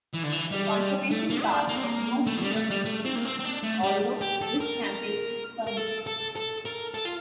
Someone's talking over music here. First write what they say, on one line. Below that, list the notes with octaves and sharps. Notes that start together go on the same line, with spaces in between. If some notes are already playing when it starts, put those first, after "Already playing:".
The conservation park has no visitor facilities, although bush camping is permitted.
E3
D3
E3
G3
A3
A#3
E4
D4
A#3
C4
A#3
A3
F3
G3
A#3
A3
G3
A3
C4
A#3
C4
C4
D4
A3
G3
G4
A4
A#4
A#4
A4
A4
A4
A#4
A4
F4